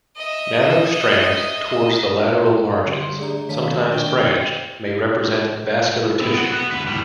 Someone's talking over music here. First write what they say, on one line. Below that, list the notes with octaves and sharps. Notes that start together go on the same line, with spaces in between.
Narrow strands towards the lateral margins, sometimes branched, may represent vascular tissue.
D#5 E5
D3 G3 G4 C6
A3 D4 G4 G#4 D5 A#5
D#3 A3 A4 C#5 F5 A5 B6
D4 A#4 G5 C#6
B3 C4
F#4 F#5
B3
D2 B4
A2 G3